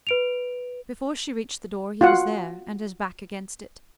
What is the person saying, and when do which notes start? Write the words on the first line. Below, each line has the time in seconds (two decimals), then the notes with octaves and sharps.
Before she reached the door, he was there--and his back against it.
0.07 B4 D7 F7
2.01 F4 F#4 F#5